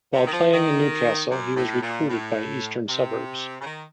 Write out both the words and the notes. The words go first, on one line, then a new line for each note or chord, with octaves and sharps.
While playing in Newcastle he was recruited by Eastern Suburbs.
C3
D#3
F3
D#3
F#2
A2
A#2
A2
C3
C#3
D#3